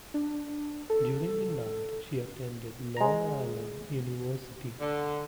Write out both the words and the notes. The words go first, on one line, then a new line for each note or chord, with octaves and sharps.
During the night she attended Long Island University.
D4
A4
G#3 A#5
D3